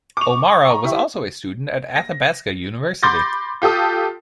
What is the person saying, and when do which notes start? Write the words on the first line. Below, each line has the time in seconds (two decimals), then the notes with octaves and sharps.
O'Marra was also a student at Athabasca University.
0.17 C#6 D6 F7
0.70 A#5
0.84 E4 G4 E5
1.96 A#6
3.03 B5 C6 D6 G6 A6 A#6
3.62 F4 G4 A4 D#6